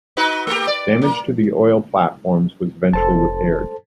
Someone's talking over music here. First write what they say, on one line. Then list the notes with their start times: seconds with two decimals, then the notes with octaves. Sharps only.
Damage to the oil platforms was eventually repaired.
0.17 D#4 F#4 B4
0.47 A3 G4
0.67 D5
1.02 A#3
2.93 F1 A4 C5 A5